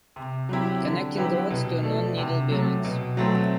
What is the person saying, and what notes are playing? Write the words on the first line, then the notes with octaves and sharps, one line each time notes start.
Connecting rods turn on needle bearings.
C3
F#3 C4 E4 G4
D3
F#3 B3 E4 G4
B2
A3 D4 A4
C3
F#3 A3
B2
F#3 A3 C4